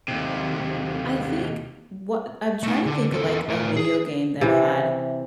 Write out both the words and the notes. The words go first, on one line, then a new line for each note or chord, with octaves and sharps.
I think wha I'm trying to think of like a video game that had
D#2 C3
A3 D#4
D3
E2 A4
A2 A#4
G#4
C3 E3